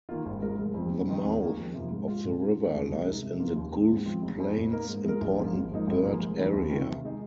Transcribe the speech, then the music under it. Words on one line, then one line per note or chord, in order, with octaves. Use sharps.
The mouth of the river lies in the Gulf Plains Important Bird Area.
D#3 A#3 F4
G#1
G#2 G#3 F4 A#4
F1
F2 F3 C4
F1
F2 D#3 C4 D#4
D#2
D#3 A#3 G#4
F2
C3 F3 A#3
G#2
G#3 F4
A#2
G#3 F4
F1
D#2 D#3 G#3
C2
C3 G#3 D#4 A#4
C3
F3 A#3 F4
D#2
D#3 C4 G#4
G#2
F3 C4 F4
F1
F2 F3
A#2
A#3 D#4 A#4
G#2
G#3 F4 A#4
A#1
G#2 F3 A#3 F4
G#1
G#2 F3 A#3 D#4
G#1
G#2 F3 A#3 G#4
F1
F2 D#3 A#3
D#2
D#3 C4 F4
C3
G#3 D#4 G#4